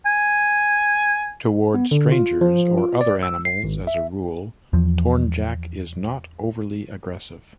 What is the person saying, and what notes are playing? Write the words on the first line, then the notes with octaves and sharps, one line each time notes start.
Towards strangers or other animals, as a rule, Tornjak is not overly aggressive.
G#5
B3
D3
F4
F3
F4
D5
E6
C7
G#1
E5
E2 F3